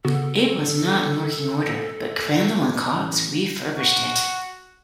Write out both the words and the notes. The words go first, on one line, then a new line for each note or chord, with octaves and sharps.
It was not in working order, but Crandall and Cox refurbished it.
C#3 B3 F#4 A4
A1
F#4